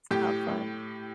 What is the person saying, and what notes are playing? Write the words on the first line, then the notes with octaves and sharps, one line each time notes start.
It's not fun.
A2 G4
A2